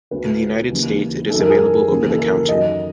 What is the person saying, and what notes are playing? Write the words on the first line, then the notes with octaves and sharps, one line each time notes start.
In the United States it is available over the counter.
D2 D3 B4
D#2 C#3 E3
F#2 D#3 A4
A#4
G#4
D#2 C#3 E3
A4
A#4
F#2 D#3 D#5